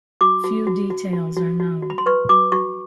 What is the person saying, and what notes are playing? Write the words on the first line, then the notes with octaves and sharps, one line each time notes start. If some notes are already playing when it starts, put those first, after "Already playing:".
Few details are known.
F#4 D6
F#4
F#4
F#4
F#4
F#4
F#4
F#4
B5
C6
B4 C#6
F#4 D6
F#4 C#6